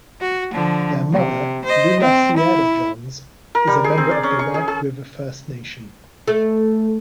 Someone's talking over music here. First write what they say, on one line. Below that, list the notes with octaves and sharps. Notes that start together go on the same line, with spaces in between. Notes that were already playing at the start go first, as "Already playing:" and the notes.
Their mother, Lulla Sierra Johns, is a member of the White River First Nation.
F#4
D3 F3
C3
C5 D#5
C4
E4
A#4
G3
G#4
C4
D5
C#4
C#6
G#4
G#4
A3